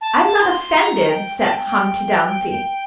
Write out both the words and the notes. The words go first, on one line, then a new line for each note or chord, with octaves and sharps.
'I'm not offended,' said Humpty Dumpty.
A5
C6
A#5
G5
G5
A5
G5